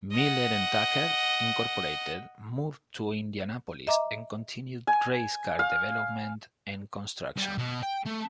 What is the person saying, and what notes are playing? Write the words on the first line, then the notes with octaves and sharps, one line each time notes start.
Miller and Tucker, Incorporated moved to Indianapolis and continued race car development and construction.
D#5 F#5
D#5 E5 A#5 D6
G#5
F5
G3
B2
G5
A3